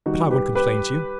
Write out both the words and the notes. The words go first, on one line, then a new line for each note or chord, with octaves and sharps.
But I won't complain to you!
D#3 G3 D#4 F#4
G4 B4
G4 B4